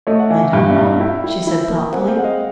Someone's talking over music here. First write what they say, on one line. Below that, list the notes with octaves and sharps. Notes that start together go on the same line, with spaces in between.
"I don't know," she said thoughtfully.
A3 C#5 D#5
F#5
E3 D#5 F5
G2
D5 E5
G2
D#5 F5
E4 F5 G5
E4
E4
A#3
C4 F#5 G#5
F5 G5
G#3 F#5
D#5 F5